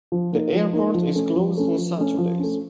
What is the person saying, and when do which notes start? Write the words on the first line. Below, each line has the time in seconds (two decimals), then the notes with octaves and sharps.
The airport is closed on Saturdays.
0.12 F3
0.33 A#3 D#4
0.53 F3
0.73 A#3 D#4
0.94 F3
1.15 A3 C#4
1.36 F3
1.57 A3 C#4
1.78 F3
1.98 A3 C#4
2.18 F3
2.39 A3 C#4